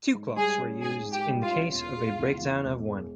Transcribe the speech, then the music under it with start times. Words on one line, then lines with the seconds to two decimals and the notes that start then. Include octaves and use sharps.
Two clocks were used in case of a breakdown of one.
0.14 G#2
0.37 G3 G#4
0.60 C#4
0.82 G#2 G#4
1.05 G#2
1.13 G4
1.28 G3
1.43 F4
1.51 C#4
1.73 E1 F4
1.96 G#3
2.19 E2
2.41 E3
2.64 E1
2.87 G#3